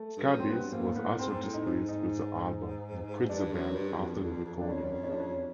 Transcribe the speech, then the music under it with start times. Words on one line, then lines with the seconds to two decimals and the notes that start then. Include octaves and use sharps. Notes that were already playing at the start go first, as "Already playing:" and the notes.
Scabies was also displeased with the album, and quit the band after the recording.
Already playing: A3
0.18 G2
0.26 F#2
0.40 C4
0.49 G2 B3
0.73 G#2 A#3
0.96 A2 B3
1.19 G#2 C4
1.42 A2
1.54 D#4
1.65 G#2
1.89 D#4
3.29 G2 D4
3.53 F#2
3.76 G2
3.93 E2
3.99 F2
4.16 E2
4.22 F2
4.45 F2
4.57 F#2 D4
4.69 F2 C#4
4.85 F#2
4.92 F2
5.04 C#4
5.09 E2 D4
5.15 F2 C#4